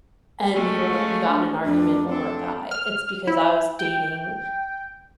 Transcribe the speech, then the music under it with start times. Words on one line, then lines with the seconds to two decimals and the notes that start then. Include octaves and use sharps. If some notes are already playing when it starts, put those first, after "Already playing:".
and we were we got in an argument over a guy, it's because I was dating
0.54 G#3 A3 C#4
0.92 F5
1.28 D4
1.64 F2 D4
2.09 C4 D4 A4
2.71 F6
3.27 E4
3.79 G5